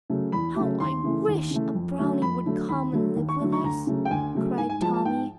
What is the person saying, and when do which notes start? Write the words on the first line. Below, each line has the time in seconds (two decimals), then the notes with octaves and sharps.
"How I wish a brownie would come and live with us!" cried Tommy.
0.10 C#3 F#3 A3
0.32 E2 B5
0.56 C#3 F#3 A3
0.80 D#2 C6
1.04 C#3 E3 A3
1.28 D#2
1.51 C#3 E3 A3
1.75 F2
1.99 D3 F#3 A3
2.22 F2 B5
2.46 D3 F#3 A3
2.69 D#2 B5
2.92 D3 F#3 A3
3.16 D#2
3.29 C#6
3.40 D3 F#3 A3
3.52 C#6
3.64 D2 A#5
3.87 C#3 F#3 A3
4.05 G5
4.11 D2 G#5
4.35 C#3 F#3 A3
4.58 G#2 G#5
4.70 G#5
4.81 F3 G#3 A5
4.94 A5
5.05 G#2 G5